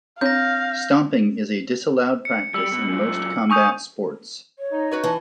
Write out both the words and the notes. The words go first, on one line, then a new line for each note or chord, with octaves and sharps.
Stomping is a disallowed practice in most combat sports.
C4 D4 C#5 F5 G6 A#6
C#7
G3 E6
B2
F#2 A#2
G#5 C#6 D#6 G6
C#5
D#4
F#4 B4 C#5
E3 A5